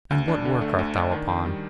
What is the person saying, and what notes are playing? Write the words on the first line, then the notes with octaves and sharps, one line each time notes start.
'And what work art thou upon?'
D2
D4
D3
A3
D2
D4
D#3
D#3
G3